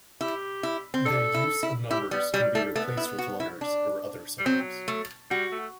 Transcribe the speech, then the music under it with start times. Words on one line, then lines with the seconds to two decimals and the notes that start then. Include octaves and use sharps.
The use of numbers can be replaced with letters or other symbols.
0.21 E4 G4
0.63 E4
0.94 C4
1.05 D4 A4
1.34 E4
1.63 E4
1.91 E4 G4
2.11 G3 B3
2.33 F#3 G3
2.55 G3 A3
2.75 A3 B3
2.97 E4
3.18 F#4
3.40 E4
3.61 D4
4.39 G3
4.46 F#3 C4
4.88 A3
5.30 G3 F#4
5.52 A3